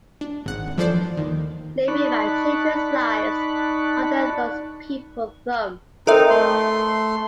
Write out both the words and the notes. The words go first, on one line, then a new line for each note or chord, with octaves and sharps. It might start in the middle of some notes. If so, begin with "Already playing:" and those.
Leaving my children's lives under those people thumb.
D4
G#1 F#5
E3 F3 D4 A4 C5 D5
D#2 D#3
D#4 D5 A5 B5 C#6 F#6
C4 D#4 A4 A#4 E5
A3 C6